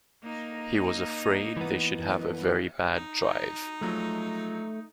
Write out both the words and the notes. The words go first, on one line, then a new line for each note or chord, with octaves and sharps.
He was afraid they should have a very bad drive.
A#3 D#4
E3 B3
D#4
F3 F#3 G#3 A3